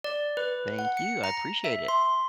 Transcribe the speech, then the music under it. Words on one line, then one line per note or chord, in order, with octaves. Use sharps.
Thank you, I appreciate it.
D5
B4
F#5
C#7
A#5
E5
C6